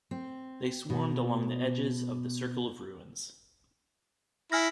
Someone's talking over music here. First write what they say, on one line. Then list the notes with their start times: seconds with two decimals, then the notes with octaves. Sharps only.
They swarmed along the edges of the circle of ruins.
0.11 C4
0.90 B2
4.52 E4 G#5 F6 A#6